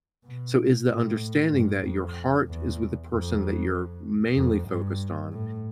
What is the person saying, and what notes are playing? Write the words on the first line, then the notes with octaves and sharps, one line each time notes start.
So, is the understanding that your heart is with the person that you're mainly focused on,
B2
A2
G2
F2
E2
F2
F2
G2
A2